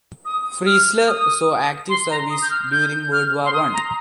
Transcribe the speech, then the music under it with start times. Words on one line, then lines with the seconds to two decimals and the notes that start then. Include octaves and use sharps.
Freisler saw active service during World War One.
0.25 D#6
0.66 F6
1.08 D#6
1.89 C6
2.10 A#5
2.30 D#6
2.42 G6
2.51 F6
2.72 G6
3.12 F6
3.45 C6
3.53 D#6
3.74 A#5